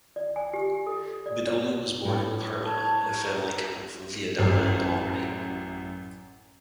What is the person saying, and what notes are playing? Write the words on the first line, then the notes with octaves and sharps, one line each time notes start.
Bedoli was born in Parma in a family coming from Viadana in Lombardy.
D5
G#5
G4
A4
D5
C#5
A2
A5 C#6 G#6
A#5
A1 F#2